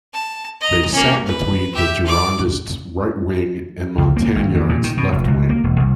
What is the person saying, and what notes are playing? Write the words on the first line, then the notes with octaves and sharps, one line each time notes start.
They sat between the Girondists' right-wing and Montagnards' left-wing.
A5
D#5 A#5
A#3 C#4
B4
G4 E5
D5 D6
C#2
A#3
G#1
D#2
A#2
D#3
B2
F1
C#2
A#3
E1
C2